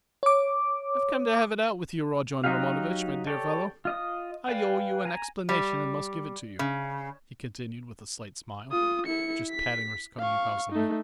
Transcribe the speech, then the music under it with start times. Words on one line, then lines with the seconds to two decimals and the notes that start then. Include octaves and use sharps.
"I've come to have it out with you, Rodion Romanovitch, my dear fellow! I owe you an explanation and must give it to you," he continued with a slight smile, just patting Raskolnikov's knee.
0.23 C#5 D6
2.44 F#3 D#4 F#4 G4 F5
3.27 G4 A4 C#5 D5 G5
3.85 F4 D#5 D#6
4.48 B4 D5 F5 G5 G#5
5.05 G#5 A#5
5.49 G3
6.59 C#3
8.71 F4 D#6
9.06 E4 C#7
9.50 B6
10.19 F5 C#6
10.72 A3 D#4